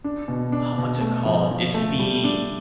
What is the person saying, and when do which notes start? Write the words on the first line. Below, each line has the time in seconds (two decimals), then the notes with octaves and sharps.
uh, what's it called? It's the
0.04 D4
0.28 B2
0.52 D4
0.78 B2
1.01 A3
1.26 F3
1.51 F3
1.74 A3
1.99 G3
2.24 D4